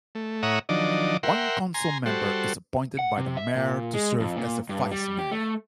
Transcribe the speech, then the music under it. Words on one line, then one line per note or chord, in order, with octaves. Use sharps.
One council member is appointed by the Mayor to serve as the Vice-Mayor.
A3
A2 C#5 E5 F#5 A#5 D#6
D#3 F3 F#3 D4 D5 D#5
A#4 E5 F#5 G5 C6
G#5 A#5 C6
G3 F#4 A4 C5
F#5
C3
E5
A#2
G#3
F2
A#2
G2
G3
G4
A3